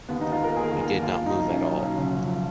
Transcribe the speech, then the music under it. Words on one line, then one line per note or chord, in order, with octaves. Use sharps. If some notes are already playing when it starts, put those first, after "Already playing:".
He did not move at all.
D#2 B3
D#2 D#4
F4
A#3 A#4
D#2 G#4
A#4
D#2 G#4
A#3
A#3 F4
A#3
D#4
B1
A#3 C#4
B1
B1
F#1 C#4
F2